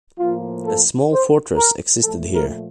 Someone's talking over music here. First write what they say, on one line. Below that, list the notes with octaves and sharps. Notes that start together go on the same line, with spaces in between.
A small fortress existed here.
A2 F3 A#3 F4
A4
C5
A#4
A#2 F3 A3 A4
A#4